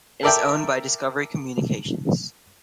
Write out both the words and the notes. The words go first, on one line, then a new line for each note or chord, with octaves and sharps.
It is owned by Discovery Communications.
A4 A#4 D5 E5 G5